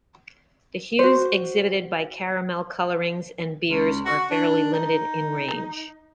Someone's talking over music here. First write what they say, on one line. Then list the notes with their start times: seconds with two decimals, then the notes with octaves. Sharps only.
The hues exhibited by caramel colorings and beers are fairly limited in range.
0.99 F#4 C5
3.69 C#2
4.05 F#4
4.31 D4
4.73 D#4